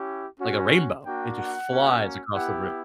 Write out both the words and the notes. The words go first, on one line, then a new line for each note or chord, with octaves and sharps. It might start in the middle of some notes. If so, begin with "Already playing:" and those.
like a rainbow, it just flies across the room.
Already playing: C#4 E4 G4
C#4 F#4
A#3 D4 F#4 G5
F#5
A#3 C#4 F#4
B3 E4 G4 F#5